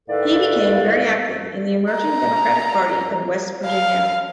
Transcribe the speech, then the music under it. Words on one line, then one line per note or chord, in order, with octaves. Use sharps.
He became very active in the emerging Democratic Party of West Virginia.
A2 D#3 A4 B4 D5 F5
A#5
F5